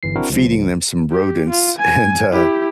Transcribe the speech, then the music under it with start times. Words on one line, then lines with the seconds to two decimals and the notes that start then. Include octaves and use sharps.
feeding them some rodents, and, uh
0.03 G1 E3 C7
0.16 C4 D4 E4 F#4 A#4
0.30 C#2 F3
1.11 G4
1.50 F4
1.78 G#5
2.31 E4 G4